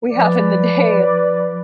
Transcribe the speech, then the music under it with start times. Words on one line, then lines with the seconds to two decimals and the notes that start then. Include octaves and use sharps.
we have in the day, and
0.11 F3 B4 D5